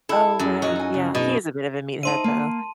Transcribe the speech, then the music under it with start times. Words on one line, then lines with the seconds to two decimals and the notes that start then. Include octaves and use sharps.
Oh, right yeah, he is a bit of a meathead, though.
0.09 E4 A4
0.39 F#2
0.62 A#2 F#3 F#4 D#5
0.76 D#4 G#5
0.94 C#3
1.15 B2 D#4 D#5
2.03 D#4 C5 E5 A5 C6 D#7
2.24 A#3